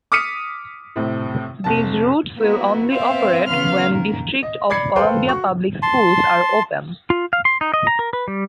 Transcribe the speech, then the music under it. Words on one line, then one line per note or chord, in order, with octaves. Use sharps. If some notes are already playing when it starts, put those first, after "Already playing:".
These routes will only operate when District of Columbia Public Schools are open.
D6 D#6 F6 B6 C#7 D#7
A2 C3
F1 A5
A#3 B3 E4 F#4
B3 C4 C5 E5 F5
C#3 E3 B3 F5 C6 F6
D#3 A#3
D#5
D5 B5 G#6 C7 C#7
A4 B4 C5 F5 G5 C6
F#4 C#6
A5 C6
F4
F5
C6
D#4
D#5
A#5
A#4
B4
G3